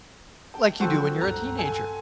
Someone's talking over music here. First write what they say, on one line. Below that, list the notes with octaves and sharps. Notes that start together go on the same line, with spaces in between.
Like, you do when you're a teenager.
G5 A5
F3 F#3 A#3 C4 F#4 A4
C#2 G2 A#5
A4 G#5